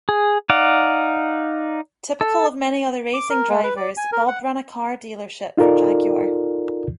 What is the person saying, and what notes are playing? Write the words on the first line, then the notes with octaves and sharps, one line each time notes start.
Typical of many other racing drivers, Bob ran a car dealership for Jaguar.
G#4
D#4 D5 F5 F#5
A4
D6
A#4
G#3
B4
D5
G#5
A#4
F#5
D#4 F4 A4 A#4 D5